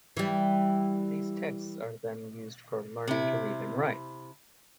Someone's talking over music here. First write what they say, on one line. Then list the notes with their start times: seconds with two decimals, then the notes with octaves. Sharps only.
These texts are then used for learning to read and write.
0.17 E3 G3
3.08 C3 E4